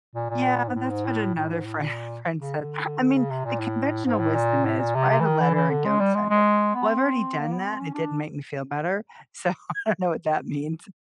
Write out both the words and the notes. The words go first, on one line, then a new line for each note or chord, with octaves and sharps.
Yeah, that's what another friend friend said. I mean, the conventional wisdom is write a letter and don't send it. Well, I've already done that, and it didn't make me feel better. So I know what that means.
A#2
A#2
G#2
A2
G#2
A2
A2
G#2
A2
A#2
C#3
D3
D3
D3
C#3
C3
A#2
A2
G#2
A2
A#2
A2
A#2
C3
C3
E3
D#3
E3
E3
D3
G#3
G3
G#3
G#3
B3
C4
A#3
B3
C4
C#4
D4